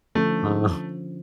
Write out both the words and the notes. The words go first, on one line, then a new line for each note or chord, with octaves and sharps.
Uh, huh
D3 F3 A3 C#4